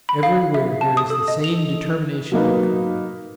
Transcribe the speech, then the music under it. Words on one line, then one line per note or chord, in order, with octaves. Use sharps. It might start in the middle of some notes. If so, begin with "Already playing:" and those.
Everywhere there is the same determination and courage.
B5
F5
E5
A5
D#6
A4
D#5
F7
F#3 A#3 D#4 B4